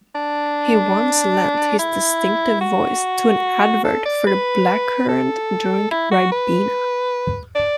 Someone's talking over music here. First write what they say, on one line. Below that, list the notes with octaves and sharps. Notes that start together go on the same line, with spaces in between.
He once lent his distinctive voice to an advert for the blackcurrant drink Ribena.
D4
E4
F#4
A4
D5
B4
A4
E4
F#4
B4
D5